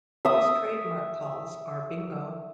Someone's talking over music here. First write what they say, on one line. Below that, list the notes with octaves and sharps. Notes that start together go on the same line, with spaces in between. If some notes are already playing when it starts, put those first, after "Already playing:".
His trademark calls are Bingo!
E5 D#6